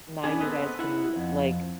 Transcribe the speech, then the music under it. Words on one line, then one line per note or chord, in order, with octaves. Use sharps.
Now you guys can, like,
B3 C#4 D4 G#4
B3 C4 A4 B4 D#5
E4 F#5
F2